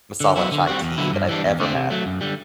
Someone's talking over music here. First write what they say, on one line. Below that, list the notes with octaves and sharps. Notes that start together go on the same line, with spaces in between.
masala chai tea that I've ever had.
D3
F#3 B3 E4
D3
G3 C4 F#4
E2
D3 F#3 B3 E4
G2
E3 G3 D4
E2
D3 A3 C4
C3
F#3 A3
F#2
D3 G3